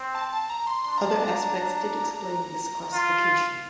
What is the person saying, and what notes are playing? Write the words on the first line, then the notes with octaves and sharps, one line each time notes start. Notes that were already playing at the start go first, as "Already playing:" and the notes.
Other aspects did explain this classification.
Already playing: C4
A5
A5
A#5
C6
D4 C6
A#5
A5
A#5
F4